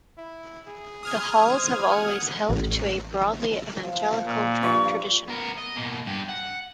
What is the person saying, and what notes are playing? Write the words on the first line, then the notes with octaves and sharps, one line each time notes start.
The halls have always held to a broadly evangelical tradition.
E4
G#4
D#6 F6 G#6
C5
F#5
A1
F3
A#2
G2 F3 C#6
B3 A#4
D#5
B2 A#3
G2 G4
F#5